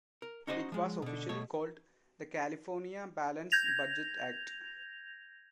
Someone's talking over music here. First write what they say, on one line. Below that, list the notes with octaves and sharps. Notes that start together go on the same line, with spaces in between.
It was officially called the California Balanced Budget Act.
A#4
C#4 D#4 F#4 C5 C#5 D#5
F3 G#3
B2 D3
B2 A3 C#5
G6 G#6 A#6 F7